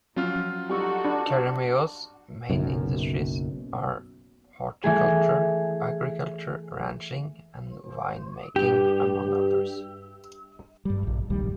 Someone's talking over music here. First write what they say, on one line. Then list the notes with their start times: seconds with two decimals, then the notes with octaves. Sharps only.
Keremeos' main industries are horticulture, agriculture, ranching, and wine making, among others.
0.16 F3 F#3 C#4 F4 F6
0.69 G3 D#4 F#4 A4 C#6 E6
1.05 D4
2.50 F#1 B1 F#2
4.84 E3 A3 G#4
8.56 G2 G4
10.85 G2 G3
11.03 D1 A#1
11.30 D1 A#1 D#2 G3